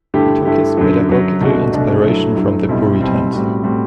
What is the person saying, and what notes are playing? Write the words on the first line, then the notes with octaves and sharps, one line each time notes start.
He took his pedagogical inspiration from the Puritans.
G2 D3 A3 E4 G4
G2 D3 A3 E4 G4
F#2 D3 F#3
F#2 D3 F#3
C2 B2 A3 D4 F#4
C2 B2 A3 D4 F#4
G2 F#3 A3 E4
G2 F#3 A3 E4
B1 B2 G3 C4 E4
B1 B2 G3 C4 E4
A1 A2 G3 C4 F#4
A2 G3 C4 F#4